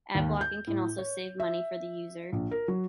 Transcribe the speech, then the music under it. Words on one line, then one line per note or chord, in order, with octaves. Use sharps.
Ad blocking can also save money for the user.
D#2
G6
A2
C#5
E5
A#1
A#4
F#3